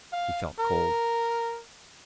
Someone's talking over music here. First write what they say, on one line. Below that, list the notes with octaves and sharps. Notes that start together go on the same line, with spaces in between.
He felt cold.
F5
A#4